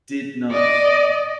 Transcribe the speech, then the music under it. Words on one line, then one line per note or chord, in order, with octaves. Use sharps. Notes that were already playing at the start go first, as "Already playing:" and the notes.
did not
D5 D#5